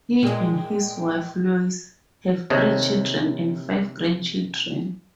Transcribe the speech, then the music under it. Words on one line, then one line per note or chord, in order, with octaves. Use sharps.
He and his wife, Lois, have three children and five grandchildren.
A#2 G#3 G5
D#2 C3 A4 C#5 D#5